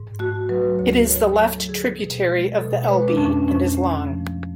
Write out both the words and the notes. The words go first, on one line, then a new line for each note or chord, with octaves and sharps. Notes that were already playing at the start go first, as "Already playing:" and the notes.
It is a left tributary of the Elbe and is long.
Already playing: G#2
A3 F#4
F#3 B4
D2 C#5
A3 C#5
F#3 A4
D3 G#4
B2
G#3
B2 A4
C#5
G#3 B4
D4
F2 C#4
F2 C#4
A3
F3